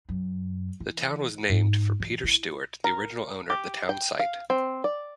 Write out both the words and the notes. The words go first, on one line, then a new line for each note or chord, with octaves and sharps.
The town was named for Peter Stuart, the original owner of the town site.
F#2
E3
G#2
E3
E4
A#4
G4
G5
F5
C4
D5